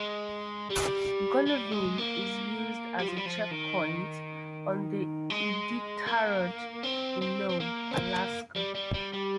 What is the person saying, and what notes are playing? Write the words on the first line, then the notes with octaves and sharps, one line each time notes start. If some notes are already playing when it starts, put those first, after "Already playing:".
Golovin is used as a checkpoint on the Iditarod in Nome, Alaska.
Already playing: G#3
G3
G3
G#3
A#3
G3
F3
G3
F3
D#3
G#3
A#3
C4
C4
C4
A#3
C4
A#3
G3
G3
G3
G3